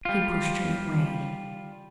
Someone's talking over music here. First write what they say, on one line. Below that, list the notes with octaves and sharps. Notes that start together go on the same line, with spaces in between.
He pushed her away.
G3 F4